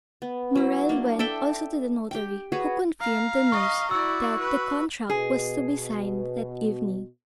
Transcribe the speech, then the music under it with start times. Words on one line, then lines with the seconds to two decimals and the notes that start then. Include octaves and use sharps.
Morrel went also to the notary, who confirmed the news that the contract was to be signed that evening.
0.22 B3
0.55 F#3 E4
0.89 A#3 D4
1.19 A4 D5 E5 G5
2.11 G4 G5
2.52 F#4 G#4 B4 C#5
3.01 F5 A#5
3.52 D#5 C#6
3.91 E4 F#4 D5 E6
4.40 B4
5.10 B2 G#4